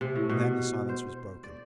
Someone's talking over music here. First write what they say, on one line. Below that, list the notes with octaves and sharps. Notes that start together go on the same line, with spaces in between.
And then the silence was broken.
C3
A2
B2
C5
D5